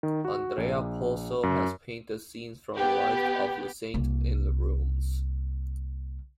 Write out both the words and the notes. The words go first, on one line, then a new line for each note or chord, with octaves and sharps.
Andrea Pozzo has painted scenes from the life of the saint in the rooms.
D#3
F#4
A#1
F#2
B3 G4
C2 A#3